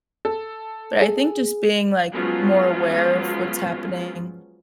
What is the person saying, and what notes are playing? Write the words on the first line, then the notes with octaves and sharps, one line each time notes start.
but I think just being, like, more aware of what's happening,
A4
G#4
F3 F#3 G#3 B3 C#4 F4